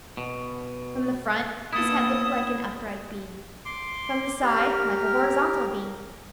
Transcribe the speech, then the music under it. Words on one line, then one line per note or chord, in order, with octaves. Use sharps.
From the front his head looked like an upright bean, from the side like a horizontal bean.
B2
A#3 B3 E4 A4 D#6
C6 D6
G4 A#4 F6